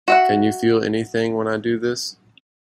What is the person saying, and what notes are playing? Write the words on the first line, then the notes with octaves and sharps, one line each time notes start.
Can You Feel Anything When I Do This?
F#4 E5 F#5